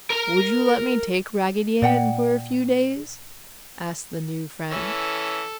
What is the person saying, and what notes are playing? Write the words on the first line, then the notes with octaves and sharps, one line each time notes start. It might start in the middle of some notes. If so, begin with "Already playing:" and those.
"Would you let me take Raggedy Ann for a few days?" asked the new friend.
A#4 A#5
A#2 D5 F#5 G5
E3 C#4 A4